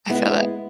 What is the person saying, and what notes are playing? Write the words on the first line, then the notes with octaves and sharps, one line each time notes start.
I feel that.
G#3 B3 E4